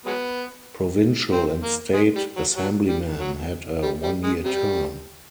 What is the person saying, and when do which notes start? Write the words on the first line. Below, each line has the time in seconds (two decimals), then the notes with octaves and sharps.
Provincial and State Assemblymen had a one-year term.
0.06 F#3 G#3 B3
1.32 C4
1.63 A#3
1.94 G#3
2.15 G3
2.37 F#3
2.57 F#3
2.88 G3
3.20 F#3
3.83 G3
4.03 G3
4.24 G#3
4.45 C3 G3